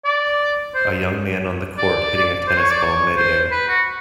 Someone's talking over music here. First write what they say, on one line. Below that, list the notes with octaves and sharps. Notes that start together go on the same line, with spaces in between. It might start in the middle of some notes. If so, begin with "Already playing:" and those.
A young man on the court hitting a tennis ball midair.
D5
C5
D5
C5
C#5
D5
C#5
C5
B4
F#4